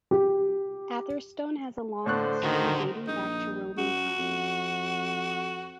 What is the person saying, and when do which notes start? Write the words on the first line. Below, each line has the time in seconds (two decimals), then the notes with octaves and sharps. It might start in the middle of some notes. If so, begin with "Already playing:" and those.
Atherstone has a long history dating back to Roman times.
0.11 G4
2.06 A2 D3 C5 C#6 F#6
2.43 D3 D#3 F#4
3.07 A#1 D#4
3.78 F#2 F#4
4.19 F2